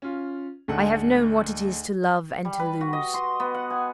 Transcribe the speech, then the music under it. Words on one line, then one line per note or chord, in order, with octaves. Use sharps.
I have known what it is to love and to lose.
C#4 F4
D2 G#2 A4 F#5
G3
B4
F#4
D#5
C6
B3
F#5
G#5